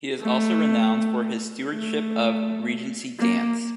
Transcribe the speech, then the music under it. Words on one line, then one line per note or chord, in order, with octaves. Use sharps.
He is also renowned for his stewardship of Regency dance.
A3
A3
A#3